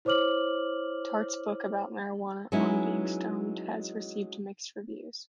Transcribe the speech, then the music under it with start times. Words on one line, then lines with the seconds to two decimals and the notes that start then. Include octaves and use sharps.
Tart's book about marijuana "On Being Stoned" has received mixed reviews.
0.05 E4 C5 C#5 D6 F6 F#7
2.52 F#3 G#3 B3 C#4 D#4 E4